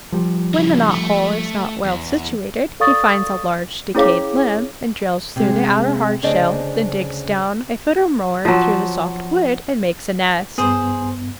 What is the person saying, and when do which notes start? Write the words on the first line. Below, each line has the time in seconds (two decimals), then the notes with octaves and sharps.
When the knot-hole is not well situated, he finds a large decayed limb and drills through the outer hard shell, then digs down a foot or more through the soft wood, and makes a nest.
0.12 F3 G3
0.54 C#3 E3
0.91 A3
1.85 E2
2.80 A4 D5 F5 C#6 D#6 A6
3.95 C#4 E4 G#4 C#5 F5 D6
5.36 C3 G#3
6.23 D2 C#3 D4 C5 D5 D#5
8.45 F3 F#3
10.58 G2 B3 G#4 C5